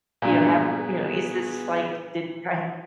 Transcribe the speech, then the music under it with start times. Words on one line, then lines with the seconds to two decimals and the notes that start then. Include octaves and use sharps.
you know, "have we" you know, "is this like did" right
0.22 G2 A#2 B3 G#4 B4